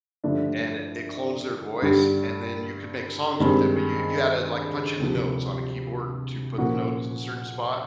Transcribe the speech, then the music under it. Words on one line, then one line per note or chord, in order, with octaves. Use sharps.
and it it clones their voice, and then you could make songs with it, but you you had to, like, punch in the notes on a keyboard to put the notes in a certain spot
G2 D3 F3 A3 D4
G2 D3 G3
G2 D#3 G#3 C4
D2 C3 F3
A#2 F3 A#3 C#4 F#4